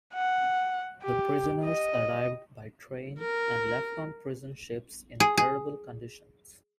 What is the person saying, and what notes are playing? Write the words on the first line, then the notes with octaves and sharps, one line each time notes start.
The prisoners arrived by train and left on prison ships in terrible conditions.
F#5
G4
D#5
A#4
G#4
G#4